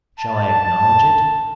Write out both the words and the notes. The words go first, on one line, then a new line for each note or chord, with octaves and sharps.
Shall I acknowledge it?
A5